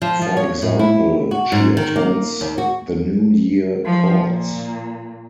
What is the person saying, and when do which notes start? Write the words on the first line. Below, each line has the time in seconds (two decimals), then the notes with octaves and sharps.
For example, she attends the New Year Courts.
0.02 F3
0.22 F3
0.37 C#5
0.62 A2
0.79 E4
1.31 F#4
1.52 G#2
1.77 D#3
1.96 A#3
2.41 D#2
2.58 F#4
3.85 F3
4.24 A#2